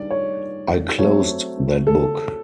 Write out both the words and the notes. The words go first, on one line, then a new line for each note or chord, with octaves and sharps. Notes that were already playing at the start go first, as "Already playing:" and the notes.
I closed that book.
Already playing: D#3 G3 D4 D5
C#5
F#3 A3 C4 C#5
A4